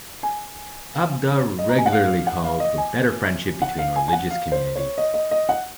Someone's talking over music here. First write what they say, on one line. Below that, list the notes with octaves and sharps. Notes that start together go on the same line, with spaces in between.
Abduh regularly called for better friendship between religious communities.
G#5
D#5
A#5
G#5
F#5
F5
F#5
F5
D#5
G#5
F#5
F5
G#5
G#5
F#5
F5
C5
C#5
D#5
D#5
D#5
F#5